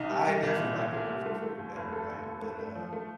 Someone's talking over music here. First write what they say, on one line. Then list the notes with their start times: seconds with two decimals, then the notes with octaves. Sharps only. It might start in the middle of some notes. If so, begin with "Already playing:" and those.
I definitely like the one from Peru better, right? But, uh
Already playing: C2 D#4
0.10 G3
0.26 G3
0.43 C2
0.59 A#2
0.76 A#2
0.92 C2
1.09 G3
1.26 A3 F4
1.42 A3
1.59 D#2
1.76 F1
1.92 A3 A4
2.09 D#2
2.26 F1
2.42 A3
2.59 A3
2.75 F3
2.92 A3